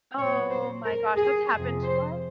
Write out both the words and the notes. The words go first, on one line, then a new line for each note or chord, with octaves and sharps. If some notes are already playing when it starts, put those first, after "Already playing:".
Oh my gosh, that's happened to us?
A#2 F#3 C4 C#5
C5
A#4
G#4
F2 C3 F3 G#4
C5